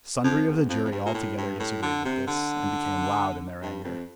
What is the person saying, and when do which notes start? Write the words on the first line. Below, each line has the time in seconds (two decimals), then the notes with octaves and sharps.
Sundry of the jury altogether disagreed with this, and became loud in their anger.
0.24 F2
0.47 E2
0.69 F2
0.85 F2
0.92 G2
1.06 A#2
1.14 A2
1.37 G2
1.60 A2
1.82 D3
2.05 C3
2.27 D3
3.62 G2
3.85 F2